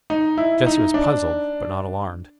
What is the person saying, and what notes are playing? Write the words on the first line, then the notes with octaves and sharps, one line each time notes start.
Jesse was puzzled but not alarmed.
D#4
E4
D#4
D4